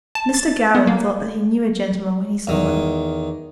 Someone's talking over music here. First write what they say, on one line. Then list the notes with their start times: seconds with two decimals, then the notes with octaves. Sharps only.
Mr. Gowran thought that he knew a gentleman when he saw one.
0.15 A5
0.34 A6
0.75 B3
0.87 A#3
2.47 E2 D#3